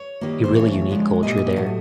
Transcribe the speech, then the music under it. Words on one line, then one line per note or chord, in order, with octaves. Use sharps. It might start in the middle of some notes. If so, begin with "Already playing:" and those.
a really unique culture there.
Already playing: C#5
D#3 G3 A#3
C5
C#3 E3 A3 C#5
D3 F3 G#3
A#2 G3 A#3 D#5
A2 F#3 A3